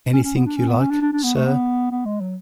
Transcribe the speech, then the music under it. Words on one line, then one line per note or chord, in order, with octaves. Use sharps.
Anything you like, sir.
C#4
C#4
B3
D4
C#4
B3
C#4
D4
D4
D4
B3
A3
B3
B3
G#3
F#3